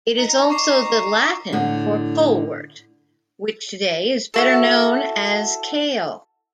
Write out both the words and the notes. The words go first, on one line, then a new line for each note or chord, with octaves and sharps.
It is also the Latin for colewort, which today is better known as kale.
D#4 A#5
C#6 D6 C7
A2 D3
E4 F#4 A4